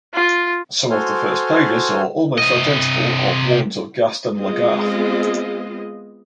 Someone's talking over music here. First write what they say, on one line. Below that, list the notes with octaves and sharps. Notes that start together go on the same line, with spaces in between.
Some of the first pages are almost identical of ones of Gaston Lagaffe.
F4
F#4 A4 C5 G#5 C6 F6
C3 D#5
G#3 B3 C4 F4 G#4 D#5